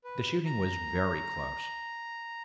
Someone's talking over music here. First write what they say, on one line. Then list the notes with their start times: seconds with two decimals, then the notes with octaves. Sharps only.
The shooting was very close.
0.04 B4
0.45 A#5